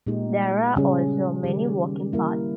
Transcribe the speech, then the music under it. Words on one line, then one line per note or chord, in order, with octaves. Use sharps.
There are also many walking paths.
A#2 G#3 D#4 G4
C#3 G3 C#4 G#4
D#3 G3 C#4 G4
G3 A#3 E4 A#4